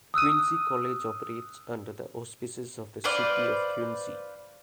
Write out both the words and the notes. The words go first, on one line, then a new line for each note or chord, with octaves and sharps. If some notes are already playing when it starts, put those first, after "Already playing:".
Quincy College operates under the auspices of the City of Quincy.
D#6 E6 F#6 D#7
B4 C5 D5 F5